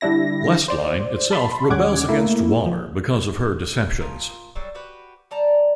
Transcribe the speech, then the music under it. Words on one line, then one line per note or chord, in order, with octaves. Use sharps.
'Last Line' itself rebels against Waller because of her deceptions.
D3 G3 D4 E4 A#6
C5 D5
A5 B5 C6
D#2 G3 C#4 F#5 D6 G#6
A3 A#3 E4
F3
F3 A#4
F#3 G3 A4
F#4 G4 B4
G3 D5 A5 A#5